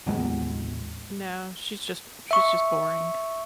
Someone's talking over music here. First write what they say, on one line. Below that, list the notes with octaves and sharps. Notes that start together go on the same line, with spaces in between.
No, she's just she's just boring.
A1 D#2 G#3 B3
E5 C#6